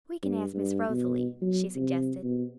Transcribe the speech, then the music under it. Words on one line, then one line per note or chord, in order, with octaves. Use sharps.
"We can ask Miss Rosalie," she suggested.
G2
G2
B2
F#3
C3
B2